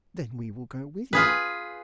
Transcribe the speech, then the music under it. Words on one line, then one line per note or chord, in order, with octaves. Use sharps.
"Then we will go with you."
F4 G#4 B4